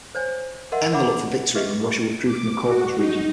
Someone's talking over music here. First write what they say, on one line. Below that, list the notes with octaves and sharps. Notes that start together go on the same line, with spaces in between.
Enver looked for victory when Russia withdrew from the Caucasus region.
C5 C#5 G#5
A#4 D#5 E5 F#5 C6
C#5 E5 F#5 B5 D6
G4 G#4 B4 D#5 E5
D6
F#4
D#4